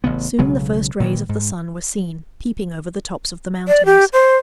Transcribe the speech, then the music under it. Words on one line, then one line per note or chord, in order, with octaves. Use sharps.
Soon the first rays of the sun were seen peeping over the tops of the mountains.
A1 C#3 B3
B1 C#3 F#3 G#3
A#2 D#3 E3
G#2
D5
G4
C5